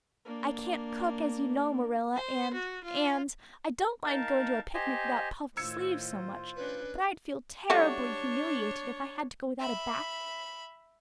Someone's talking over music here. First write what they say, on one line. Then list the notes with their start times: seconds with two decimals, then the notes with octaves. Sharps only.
I can't cook, as you know, Marilla, and--and--I don't mind going to a picnic without puffed sleeves so much, but I'd feel terribly humiliated if I had to go without a basket.
0.26 A#3 D4
2.16 C5
2.53 F#4
2.84 F4
4.06 D#4 A#4 F5 A5
4.74 G4 C5 D#5 G#5
5.57 A2 D#3 F4 C5 E6 G#6 C#7
6.56 C#4 D4 B4
7.70 G3 A3 D4 F#4 C#5
9.59 E5 B5